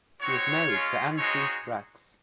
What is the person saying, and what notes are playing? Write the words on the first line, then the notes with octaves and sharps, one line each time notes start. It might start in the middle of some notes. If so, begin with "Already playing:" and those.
She is married to Antti Brax.
C4 D#4 F#4 C#5
G#3 C#4 F4
G#3 C4 D#4 F#4 C#5